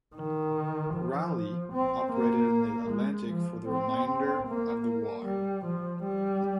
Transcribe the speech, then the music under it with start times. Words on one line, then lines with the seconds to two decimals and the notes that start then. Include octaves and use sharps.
"Raleigh" operated in the Atlantic for the remainder of the war.
0.16 D#3
0.94 F3
1.72 C4
2.12 A#3
2.91 G#3
3.30 F3
3.69 C4
4.48 A#3
4.86 A#3
5.26 G3
5.65 F3
6.04 G3